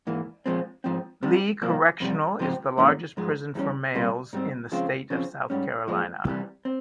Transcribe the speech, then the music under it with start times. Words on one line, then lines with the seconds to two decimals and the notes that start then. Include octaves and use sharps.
Lee Correctional is the largest prison for males in the state of South Carolina.
0.07 G#2 E3 A#3
0.46 A#2 F3 G#3 C4
0.84 G#2 F3 C4
1.23 C2 C3 G3
1.62 C2 A#2 F3 A#3
2.00 F2 C3 G3
2.39 G#2 F3 C4 G4
2.78 G#2 E3 A#3 C#4
3.17 G#2 F3 G#3
3.55 E2 E3 G3 C#4
3.94 C#2 C3 G3 A#3 F4
4.33 G#2 G3 C4
4.72 C#3 F3 G#3 C4 F4
5.10 C#3 F3 C4
5.50 G#2 G3 C#4
5.88 A#2 F3 G#3
6.26 C2 C3 E3 G3
6.65 C4